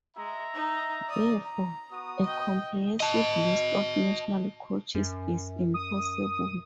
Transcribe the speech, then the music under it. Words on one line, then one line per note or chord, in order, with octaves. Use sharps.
Therefore, a comprehensive list of national coaches is impossible.
G#3 E5 A#5
D#4
D5 D#6
A#5
B3 F#4 D#6
D#5 G5
D#5 A5
F#2
D#6